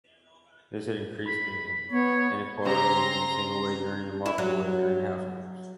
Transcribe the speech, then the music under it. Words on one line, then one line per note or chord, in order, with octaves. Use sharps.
This had increased the inequality between single wage earning and multiple wage earning households.
B5
B3 C#5
C#3 C4 G4 A#5 C6
E4
F#3